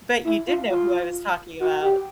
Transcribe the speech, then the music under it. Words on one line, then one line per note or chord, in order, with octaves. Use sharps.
but you did know who I was talking about.
E4
F4
F4
F#4
G4